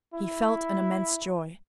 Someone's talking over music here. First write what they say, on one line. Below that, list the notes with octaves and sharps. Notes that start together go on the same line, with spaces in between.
He felt an immense joy.
E4